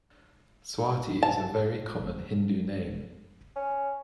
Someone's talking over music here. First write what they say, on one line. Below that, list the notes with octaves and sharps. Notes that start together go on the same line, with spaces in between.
Swati is a very common Hindu name.
A5
C#4